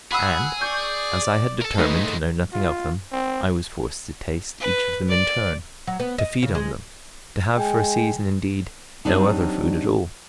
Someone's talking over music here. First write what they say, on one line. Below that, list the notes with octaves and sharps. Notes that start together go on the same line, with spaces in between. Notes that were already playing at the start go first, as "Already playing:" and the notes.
And as I had determined to know nothing of them, I was forced to taste each of them in turn, to feed on them, to have for a season, indeed, no other food at all.
G#4 F#5 B5 E6
D5 C#6 G6
A4 A#4
D#2 G#3 A3 D#4 B4
F4
C4
B4
D5
F#3
B3
D#5
C#3
G#3
G#3 G5 G#5
F#3 G3 A3 C4 D4 D#4